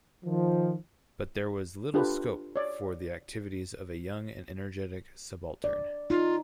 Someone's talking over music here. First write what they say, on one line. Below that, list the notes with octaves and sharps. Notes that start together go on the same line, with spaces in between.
But there was little scope for the activities of a young and energetic subaltern.
D#3 F3
D4 F4 G4 A4 B4
C#5 D5
D5
D#4 F4